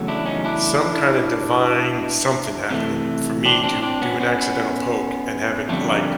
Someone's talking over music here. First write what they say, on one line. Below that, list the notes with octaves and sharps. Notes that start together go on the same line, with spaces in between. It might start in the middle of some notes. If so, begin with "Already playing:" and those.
some kind of divine something happening for me to do an accidental poke and have it, like,
Already playing: E2 C#3 F#3 A3
D4 E4
C#4 D#4
D4 E4
C3 E3 A3
C4 D4
C4 D4
C4 D4
B3 C#4
B3 C#4
F2 D3 G3 A3
A#3